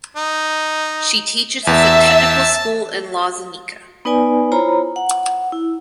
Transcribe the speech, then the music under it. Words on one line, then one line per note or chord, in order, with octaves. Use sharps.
She teaches at the technical school in Loznica.
D#4
E2 E5 A5 E6
B3 D#4 B4 D5 G#5
E4 F4 C5 C#5 A#5 B5
F#5
E4